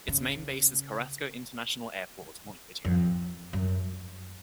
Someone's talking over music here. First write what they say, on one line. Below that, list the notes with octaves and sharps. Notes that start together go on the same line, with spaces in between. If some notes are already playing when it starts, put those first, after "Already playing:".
Its main base is Carrasco International Airport, Montevideo.
C#3
F2
F#2